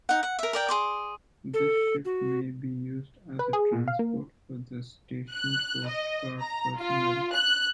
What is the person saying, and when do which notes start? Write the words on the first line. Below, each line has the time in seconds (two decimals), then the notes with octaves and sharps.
This ship may be used as a transport for the stationed coast guard personnel.
0.09 D#4 F#5
0.23 F#5
0.39 A#4 E5
0.53 A#4 D5 G5
0.69 G#4 C6 D6
1.54 A4
2.05 F#4
3.39 B4
3.53 G#4
3.73 A#2
3.88 F5
3.99 A#3
5.32 F#6
5.86 D#5
6.40 A#5
6.78 F4
7.34 F#6